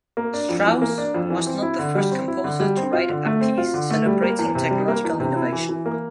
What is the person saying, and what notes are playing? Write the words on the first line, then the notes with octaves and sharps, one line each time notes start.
Strauss was not the first composer to write a piece celebrating technological innovation.
A#3
D4
F2
E3
A#3
D4
F2
E3
C4
E4
D3
G3
C4
E4
D3
G3
C4
F4
D3
A3
C4
F4
D3
A3
G3
A#3
E2
C3
G3
A#3
E2
C3
E4
E3
E3
A#3